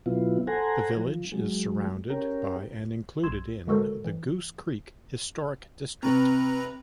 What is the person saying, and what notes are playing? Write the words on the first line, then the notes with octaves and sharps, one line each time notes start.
The village is surrounded by and included in the Goose Creek Historic District.
B2 F#3 B3 E4 F4
A4 C5 F#5 G#5 A#5
F3
F#3 G#3
C#4 G4 A#4
B1 C6 E6 G#6 E7
D3 G#3 F#4 A4 A#4 C5
E3
C3 C4 B4 A#5